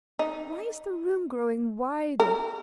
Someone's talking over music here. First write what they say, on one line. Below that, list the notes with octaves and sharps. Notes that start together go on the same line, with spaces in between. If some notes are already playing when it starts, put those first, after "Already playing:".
Why is the room growing wider?...
D#4
A#4